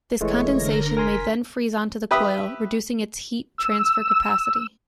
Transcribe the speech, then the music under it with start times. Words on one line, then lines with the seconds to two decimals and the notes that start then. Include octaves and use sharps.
This condensation may then freeze onto the coil, reducing its heat transfer capacity.
0.21 F1 E3 G#3 A3 C#5
0.56 D3 A#4 A#6
0.97 A#4 G#5 C6 B6
2.11 G4 B4 E5 D#6
3.58 E6